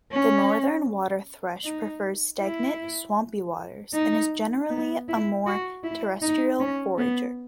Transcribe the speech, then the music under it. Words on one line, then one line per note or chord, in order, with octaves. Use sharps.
The northern waterthrush prefers stagnant, swampy waters and is generally a more terrestrial forager.
C#4
D#4
E4
D#4
B3
E4
F#4
E4
D#4
C#4
B3